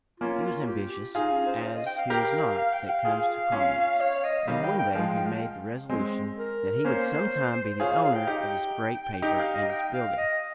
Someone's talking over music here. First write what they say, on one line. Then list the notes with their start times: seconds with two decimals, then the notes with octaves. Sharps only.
He was ambitious, as who is not, that comes to prominence; and one day he made the resolution that he would sometime be the owner of this great paper and its building!
0.20 A#3 C#4 F4
0.44 F4
0.68 G4
1.15 D#4 F4 G#4
1.32 C#4
1.47 C5
1.63 F5
1.75 D#5
1.86 G5
1.98 F5
2.10 G4 A#4
2.58 F5
2.74 G5
2.90 F5
3.05 F4 G#4
3.52 C#4 F4
4.00 C#5
4.24 D#5
4.48 D#3 G3 F5
4.64 G5
4.79 G5
4.95 F3 G#3 F5
5.11 G5
5.27 F5
5.90 G#3 C4
6.38 A#4
6.85 A#3 C#4 C5
7.70 C5
7.80 F4 G#4 C#5
7.92 F5
8.04 F5
8.15 G5
8.27 D#4 G4
9.22 D#4 G4 G5
9.38 F5
9.55 D#5
9.70 G5
9.94 F5
10.17 D#5